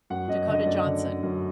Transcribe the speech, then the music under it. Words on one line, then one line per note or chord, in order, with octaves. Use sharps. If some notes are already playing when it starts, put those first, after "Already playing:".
Dakota Johnson.
F#2 F#5
F#2 D#5
D3 D#5
F#2 D5
D3
D3
F#2